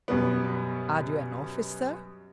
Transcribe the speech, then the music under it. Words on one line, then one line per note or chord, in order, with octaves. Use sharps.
"Are you an officer?"
F#2 B2 G3 B3